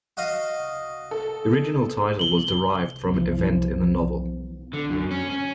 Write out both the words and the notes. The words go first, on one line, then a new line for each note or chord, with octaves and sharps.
The original title was derived from an event in the novel.
F#4 D#5 F5
A4
F#7 G7
E3 F3
D3
F#2
C#4
C#4